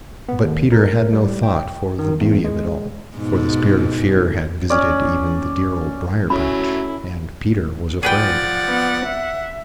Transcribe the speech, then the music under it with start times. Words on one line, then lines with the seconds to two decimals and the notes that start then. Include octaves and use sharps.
But Peter had no thought for the beauty of it all, for the Spirit of Fear had visited even the dear Old Briar-patch, and Peter was afraid.
0.29 B3
0.43 D#2
0.72 A#4
1.13 G3
1.43 G5
1.99 D#3
2.21 E2
2.44 G#3
3.16 G#2 B2
4.70 C#4 D5
6.30 F#3 A3 C#4 E4 B5
8.03 F3 G#4 B4 D5 F#5 G5
8.67 B3
9.05 E5